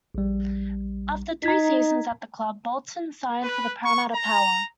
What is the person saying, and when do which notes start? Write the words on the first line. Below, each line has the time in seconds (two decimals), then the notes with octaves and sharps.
After three seasons at the club, Bolton signed for the Parramatta Power.
0.15 A#1 G3
1.43 D#4 A#5 G#6 B6
3.43 B4
3.82 C#6
4.13 A#5